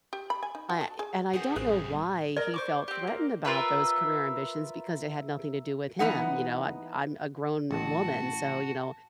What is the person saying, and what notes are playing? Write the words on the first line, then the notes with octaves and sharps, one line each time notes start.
I and I don't know why he felt threatened about those career ambitions, because they had nothing to do with him, you know, I'm I'm a grown woman, so, you know,
G4
B5
G#5
D#4
F#4
A5
G#4
E3 C4 G#4 F#5 G5 D#6
A1 F#2 C4 D#6 F#6
A#4 D5 D#5
C5 C#6 D6
C4 G4
A#3
F4 A#4 B4 E5
E3 B3 D#4 F#5
A1 F#4 F#5 A5